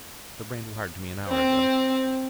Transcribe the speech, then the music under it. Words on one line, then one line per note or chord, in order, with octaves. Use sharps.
"Mr. Brand wired to me an hour ago."
C4